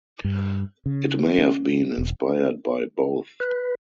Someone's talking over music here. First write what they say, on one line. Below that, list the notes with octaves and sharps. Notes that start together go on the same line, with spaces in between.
It may have been inspired by both.
G2
C#3
C#4
E1
B4